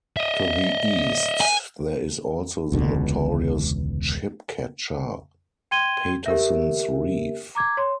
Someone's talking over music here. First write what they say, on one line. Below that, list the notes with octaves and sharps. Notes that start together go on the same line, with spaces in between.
To the east there is also the notorious "ship catcher", Paterson's Reef.
D#5 E5
G#5
E1 C#2 B2 D3
G5 C6 G#6 D#7 G7
G4 A#4 E5
A#5 D6 G#6
C#5 C6